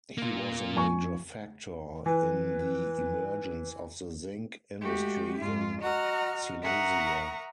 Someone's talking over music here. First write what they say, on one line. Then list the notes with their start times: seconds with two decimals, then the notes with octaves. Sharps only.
He was a major factor in the emergence of the zinc industry in Silesia.
0.18 A#3 F4
0.76 F2 G#5 C#6
2.06 E3 B4
4.81 G#3 A3 F#4 G4
5.38 G#2 F4
5.80 F#4 D#5 F#5 A#5 F6
6.63 A#4 E5 F#5 A#5 C#6 D#6